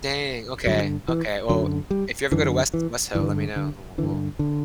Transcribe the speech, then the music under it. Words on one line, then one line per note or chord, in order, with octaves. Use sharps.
Dang, okay, okay. Well, if you ever go to West West Ho, let me know, and we'll
G2 D3 F#3
E3
F#2 D3 F#3
G3
F#2 D3 E3
E3
G2 D3 E3
D3
G2 D3 E3
D3